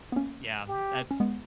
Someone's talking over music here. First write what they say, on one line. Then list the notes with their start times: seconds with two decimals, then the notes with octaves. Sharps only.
Yeah, that's
0.12 B3
0.16 A#3 C#4
0.68 G4
1.11 C#4
1.20 G#3 B3